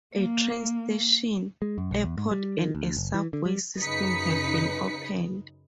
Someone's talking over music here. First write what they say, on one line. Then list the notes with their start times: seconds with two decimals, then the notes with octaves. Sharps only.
A train station, airport and a subway system have been opened.
0.16 A#3
1.62 G#3
1.78 F#2
1.91 B1
2.03 E2
2.18 G#2
2.31 G3
2.58 D#3
2.75 D2
2.97 F#1
3.14 E3
3.33 D3
3.46 G3
3.80 F#2 C#3 D#4 B4 B6 C#7